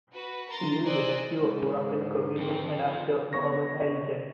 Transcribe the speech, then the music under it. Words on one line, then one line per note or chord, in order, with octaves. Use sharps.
He is the nephew of Moroccan comedian and actor Mohamed El Jem.
F#4 B4
A#4 A#5 C6 A6
C5 D5 D#5 G#5 E6 F#6
G#2
F2 C4
B3 C#5 C#6 A#6